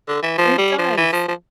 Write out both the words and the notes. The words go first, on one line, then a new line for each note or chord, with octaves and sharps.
It does.
D3
E3
F3
G3
F3
E3
F3
F3